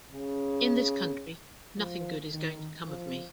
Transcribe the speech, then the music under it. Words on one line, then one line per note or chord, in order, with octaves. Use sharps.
In this country nothing good is going to come of me.
C#3
F3
D#3
F3